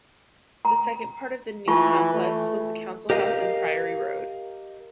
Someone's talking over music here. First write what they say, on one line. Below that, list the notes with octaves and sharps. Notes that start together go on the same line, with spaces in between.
The second part of the new complex was the council house in Priory Road.
A#5
E3 F4 A5 C#6
A3
G4 A#4 D#5 F5